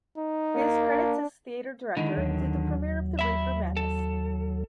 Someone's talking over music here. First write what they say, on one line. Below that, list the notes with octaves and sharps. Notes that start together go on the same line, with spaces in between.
His credits as a theater director include the premiere of the Reefer Madness!
D#4
A#3
D4
D3 D#3 G#3 E4
D#2 F#3
E5 B5
A4